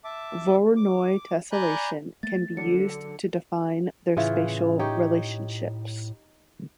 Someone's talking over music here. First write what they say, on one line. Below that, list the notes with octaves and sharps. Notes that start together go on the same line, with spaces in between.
Voronoi tesselation can be used to define their spatial relationships.
E5 A5 D6
D6
D5 G#5 A#5 B5 F#6 G6
A3 A#3 A6
D3 F#3 D4 A5 C#7
A2 C#3 E3 F4
D#4 G4 C#5